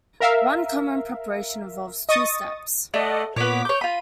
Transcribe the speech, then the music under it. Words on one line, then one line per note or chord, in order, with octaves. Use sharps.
One common preparation involves two steps.
A#4 E5 F5
D#5 C#6 D#6 A6
A3 D5 D#5 F#5
A#2 B3 C#5 D6 B6
C#5 D6 G6
F4 B5 D#7